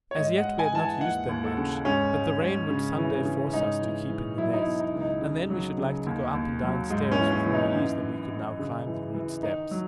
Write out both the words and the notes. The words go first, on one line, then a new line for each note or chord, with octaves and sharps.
As yet we had not used them much, but the rain would some day force us to keep in The Nest, and then we should like to go up and down stairs with more ease than we could now climb the rude steps.
C#5
G#2 D#5
F#5
G#2
G#5
E3 A5
G#5
D#2 F#5
D#2
A4
C#3
G#2 C#4
G#2
G#2
C#3
E3
C#3
G#2 D#4
E3
E3
F#3 E4
D#4
E4
B2
D#4
C#2
D#4
C#3
F#3
C#3
D#2
D#2
F#3
G#2
C#4
E3
C#4
E3
D#4
F#2
F#2
F#2
C#3
E3
E3
D#3 D#4
F#3